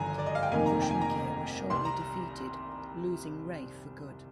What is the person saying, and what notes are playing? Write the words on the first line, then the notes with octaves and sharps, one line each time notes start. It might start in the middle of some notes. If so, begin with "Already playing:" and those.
Vushmgir was shortly defeated, losing Ray for good.
Already playing: G#1 G2 D3 F3 G#5 A#5
D5
D#5
F5
G5
F1 F2 D#3 A#3 D#4 G#5
A#5
G5
G#5
A#5
C2 C3 G3 C4 C6
A#5